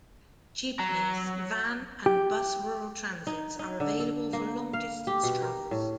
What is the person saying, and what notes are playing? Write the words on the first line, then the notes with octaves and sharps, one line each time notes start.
Jeepneys, van, and bus Rural Transits are available for long-distance travels.
F#3 A#5
G4
D#4
D#4
D3
A4
A#3
F5
G4
B2
A#4
A2